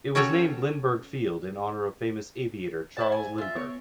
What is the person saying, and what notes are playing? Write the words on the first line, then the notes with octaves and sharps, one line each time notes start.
It was named Lindbergh Field in honor of famous aviator Charles Lindbergh.
C#4 F#4 G4 A4 C#5
E4 G#4 C5 D5 A5
G#5
F4 E5
B3 C#5